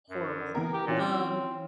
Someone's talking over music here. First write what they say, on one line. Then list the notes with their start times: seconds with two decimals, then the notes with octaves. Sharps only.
horrible. Um
0.10 F#2
0.55 E3 B3 A#4
0.73 G4
0.87 A#2 E3 C#4 F4
1.01 C4